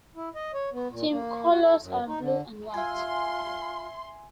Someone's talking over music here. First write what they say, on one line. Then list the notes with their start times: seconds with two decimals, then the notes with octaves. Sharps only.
The team's colors are blue and white.
0.16 E4
0.35 D#5
0.54 C#5
0.73 B3
0.90 A#2
1.11 A#3
1.49 F#4
1.62 A4
1.81 F#2
2.07 D#4
2.20 D3
2.74 F4 E5 G#5 C6